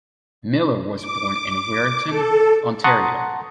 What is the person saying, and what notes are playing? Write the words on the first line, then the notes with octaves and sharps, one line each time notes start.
Miller was born in Wiarton, Ontario.
D6
A4
F#5 A5 A#5 C6 C#6 D#6